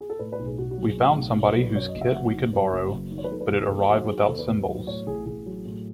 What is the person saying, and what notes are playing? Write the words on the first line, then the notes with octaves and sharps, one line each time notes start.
We found somebody whose kit we could borrow, but it arrived without cymbals.
G#4
A4
A2 B4
B4
B1
G#4
B1 F#4
F#4
F#3
G#4
A2
B1
B1
B4
A4
F#3
B4
F#2 C#5
D#5
F#1
E5
F#3 F#5
D#3
F#2 B4
F#1
F#3
D#3
C#5
B4
D#3 A4
B4
D#2
G#4
D#2 A4
F#3 F#4
D#3 G#4
G#4
D#2 A4
B4
D#2
F#3
A2 C#5
A1 G#4
A1 G#4
F#3
A2